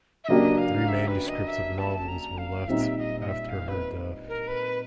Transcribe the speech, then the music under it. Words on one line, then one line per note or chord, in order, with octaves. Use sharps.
Three manuscripts of novels were left after her death.
E5
C#3 F#3 A#3 D4 G4 D#5
F5
E5
B4
D#5
E5
A5
A#5
F5
A#2 G3 C4 D#4 E5
D#5
D#5
E5
F5
B4
A#4
B4